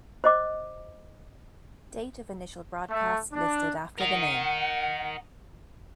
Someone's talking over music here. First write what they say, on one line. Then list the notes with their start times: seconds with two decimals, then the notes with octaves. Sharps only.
Date of initial broadcast listed after the name.
0.24 C5 D#5 D6
2.90 A3
3.33 D4
3.98 A#4 D#5 F#5